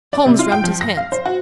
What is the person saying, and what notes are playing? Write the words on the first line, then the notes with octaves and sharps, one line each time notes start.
Holmes rubbed his hands.
D5
C3
F4
G5
F3
A#6
F5
C5
F#4